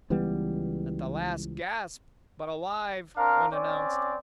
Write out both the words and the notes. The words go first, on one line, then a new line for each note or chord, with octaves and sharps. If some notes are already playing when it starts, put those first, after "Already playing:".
"At the last gasp, but alive," one announced.
C#2 E3 G3 B3
C4 D4 A#4 F5
C4 C#4 D5